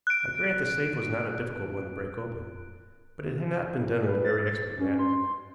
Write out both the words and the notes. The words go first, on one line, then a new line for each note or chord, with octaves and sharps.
I grant the safe was not a difficult one to break open, but it had not been done in a very expert manner.
F#6 D7
B4
A6
A6
C#4
C6